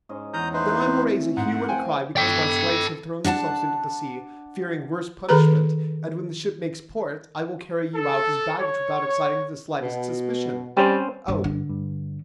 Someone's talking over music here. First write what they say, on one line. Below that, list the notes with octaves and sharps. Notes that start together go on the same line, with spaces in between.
Then I will raise a hue and cry because my slaves have thrown themselves into the sea, fearing worse punishment; and when the ship makes port, I will carry you out as baggage without exciting the slightest suspicion!" "Oh!
G#2 C#4 D#5
E2 A#5 D#6 G6
E3 A3 D#4 B4 C5
C4
G#2 F#5
F3 G5 G#5
A4 G5
D4 F#5 G#5 A5
D#3 G#4 A4 B4 A#5
A4
C#5
B2
G3 C4 C#4 C5
G2 D3
D3
G2